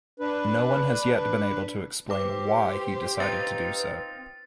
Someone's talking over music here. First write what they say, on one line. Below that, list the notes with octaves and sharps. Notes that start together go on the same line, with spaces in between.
No one has yet been able to explain why he decided to do so.
D4 B4
G4 B4 C5 D6
C4 D#4 F4 B4 A6